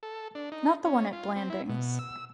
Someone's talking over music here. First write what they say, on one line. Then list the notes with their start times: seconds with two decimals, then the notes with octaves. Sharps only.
Not the one at Blandings?
0.03 A4
0.35 D4
0.52 D#4
0.85 C#4
1.13 F4
1.36 C4
1.50 E4
1.69 B2
1.99 E6